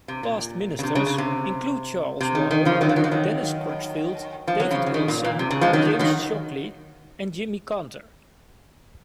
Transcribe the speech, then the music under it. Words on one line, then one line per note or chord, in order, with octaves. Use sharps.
Past Ministers include Charles Wall, Dennis Crutchfield, David Wilson, James Shockley and Jimmy Canter.
C3
A#2
C#3
C3
C#3
C#3
C3
C3
D#3
D#3
C#3 F3
D#3 F#3
F3
D#3 F#3
F3
D#3 F#3
F3
F#3
C#3 F3
C#3
D#3
A#2
A#2
C3
C#3
F3 G#3
D#3 F#3
D#3
D#3 F#3